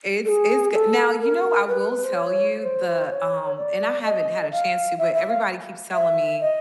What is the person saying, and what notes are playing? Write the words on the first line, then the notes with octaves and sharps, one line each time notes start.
It's it's g Now, you know, I will tell you the, um and I haven't had a chance to, but everybody keeps telling me
A4
G#4
A4
A#4
B4
C5
C#5
C5
C#5
D5
D#5
F5
E5
E5
F5
E5
D#5